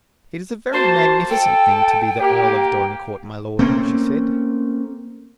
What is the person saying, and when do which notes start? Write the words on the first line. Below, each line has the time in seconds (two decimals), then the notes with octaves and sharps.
"It is a very magnificent thing to be the Earl of Dorincourt, my lord," she said.
0.73 A#3 F#4 C5 A5
1.30 A4 G5
2.20 A#3 G4
3.59 A3 A#3 C4 C#4